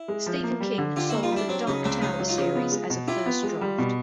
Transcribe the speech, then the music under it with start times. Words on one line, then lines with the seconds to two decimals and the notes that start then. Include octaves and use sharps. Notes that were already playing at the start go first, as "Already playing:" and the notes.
Stephen King saw the "Dark Tower" series as a first draft.
Already playing: E4
0.08 G#3
0.26 F3
0.43 A#3
0.60 G3
0.78 D3
0.96 D3 F4 G4
1.09 A#3 E4 F#4
1.23 D#4 F4
1.32 G3 D4 E4
1.49 F#3 C4 D4
1.67 C#3 C#4 D#4
1.84 C#2 C4 D4
2.01 C#2 C#4 D#4
2.19 F#3
2.28 D#4 F4
2.38 C#3
2.55 B3
2.72 G#3
2.90 B2
3.07 E4 F4 G4
3.26 B3
3.43 G#3
3.61 G3
3.78 B2